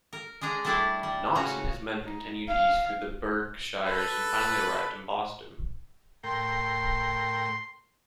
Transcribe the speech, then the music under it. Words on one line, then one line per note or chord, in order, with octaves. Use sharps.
Knox and his men continued east through the Berkshires and finally arrived in Boston.
A#4
G#3 D4 G#4 A#5
G3 A3 D4 E4 D5
G3
C#3 C#4 F#4 A#5
D#4
F5
A4 B4
A2 A#4 G5 C6